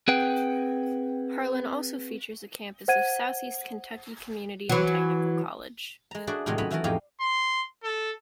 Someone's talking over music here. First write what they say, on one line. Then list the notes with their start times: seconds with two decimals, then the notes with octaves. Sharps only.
Harlan also features a campus of Southeast Kentucky Community and Technical College.
0.08 C4 G#4 B4 F#5 G5
2.88 C5 F#5 G#6 D#7
4.69 E3 F#3
6.11 G#3 A#5
6.27 D4 F#4 G#4 B4 D5 E5
6.46 A2 C3 D#3 F#3 G#3
6.58 D#3 F#3 C#4 D#4 B5
6.70 D#3 E3 F#4 A4 A#4
6.84 F2 A2 D#4 G4 G#4 F5
7.20 C6
7.84 A4